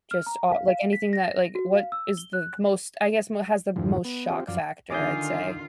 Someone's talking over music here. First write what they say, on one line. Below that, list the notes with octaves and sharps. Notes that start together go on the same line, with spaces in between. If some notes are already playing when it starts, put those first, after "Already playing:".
just all like, anything that, like, what is the most I guess m has the most shock factor, I'd say.
F6
A#5
F5
F5
B6
A#6
F#4
F5
E6
G7
F#6
F2 G#2 D3 E3 F3 G3
B3
C4 F4 G4
F#2 F3 D5 F5
D3 D#3 F4 G#5 D6 D#6 G6